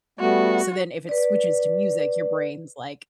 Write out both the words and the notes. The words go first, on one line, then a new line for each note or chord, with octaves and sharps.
so then if it switches to music, your brain's, like,
G3 A3 B3 F#4
B4 D5